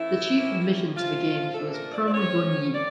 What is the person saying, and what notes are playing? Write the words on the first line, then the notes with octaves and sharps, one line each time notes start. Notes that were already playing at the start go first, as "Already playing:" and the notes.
The chief of mission to the games was Prum Bun Yi.
Already playing: E3 A3 C#4 E4
A2 E3 A#3 C#4
A#2 F3 A3 F4
A#2 F3 A3 D4 A4
A#4
D5
D5
A2 F3 C#4 C#5
A2 D5